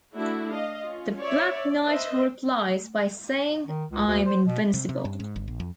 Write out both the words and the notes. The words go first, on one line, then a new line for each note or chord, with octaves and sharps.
The Black Knight replies by saying, I'm invincible!
A3 D4 E4 F#4
D#5 F5
C#4 F4
C#5 D5 E5
D5
B4 C5 D#5 E5
D#3
C#2
D2
C5
B2
C3
C3
G2
G#2
G1
A#1
F2